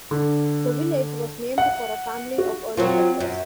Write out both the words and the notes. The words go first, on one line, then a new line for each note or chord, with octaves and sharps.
The village was named for a family of early settlers.
D3
F#5
F#4
F#3 C4 F4
F#2